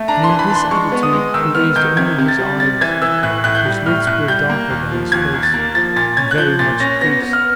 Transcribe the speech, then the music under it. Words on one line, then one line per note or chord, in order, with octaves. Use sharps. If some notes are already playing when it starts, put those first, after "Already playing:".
And in this attitude he raised only his eyes, whose lids were darker than his face and very much creased.
Already playing: A3
D4 A#5
C6
E3
B5
D4
C6
G#3 C#6
B3
D#6
G#3
D#3 E6
B3 F6
D#3 G6
C3 G#6
C3
A6
G3
C3 A6
E3 G#6
E3 E6
A2 F#6
A2 F#6
G6
G3
A2 F6
A2 F#6
G3 G6
A#3
D#2
F3
D#2 G#6
D#2
A6
A#3
F3 A6
A#2 A6
C#4 G#6
F#6
F3 G6
A#2 A6
C#4 A#6
B3 A#6
B3
F6